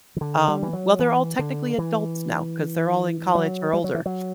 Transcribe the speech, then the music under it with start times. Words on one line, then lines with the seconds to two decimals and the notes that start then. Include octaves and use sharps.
um, well, they're all technically adults now, 'cause they're all in college or older,
0.16 E3
0.21 D3
0.48 G3
0.63 E3
0.73 F#3
0.99 E3
1.39 D3
1.78 E3
3.35 F#3
3.73 G3
3.84 F#3
3.95 E3
4.06 F#3